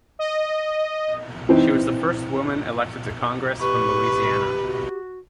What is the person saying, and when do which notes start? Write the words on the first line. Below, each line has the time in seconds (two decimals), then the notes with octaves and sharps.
She was the first woman elected to Congress from Louisiana.
0.19 D#5
1.49 E3 C4 D#4
3.61 G4 B4 C#6
4.65 F#4